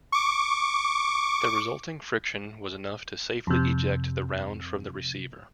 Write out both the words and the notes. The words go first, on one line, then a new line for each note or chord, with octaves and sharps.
The resulting friction was enough to safely eject the round from the receiver.
C#6 D6
F2 C3